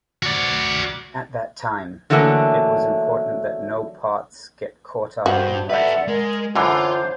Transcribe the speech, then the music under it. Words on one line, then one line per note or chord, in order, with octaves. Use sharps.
At that time, it was important that no parts get caught up in writing.
F#4 D5
D3 E3 F#3 A3 A#3
G2 F#4 C5
A4 B4 D5 E5 F#5
G#3 A#4
F#2 D3 E3 F4 C5 C#5